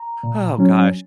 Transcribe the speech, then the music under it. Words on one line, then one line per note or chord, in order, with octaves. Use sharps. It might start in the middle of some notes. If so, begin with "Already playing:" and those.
Oh, gosh.
Already playing: A#5
A#2
F#3 C#4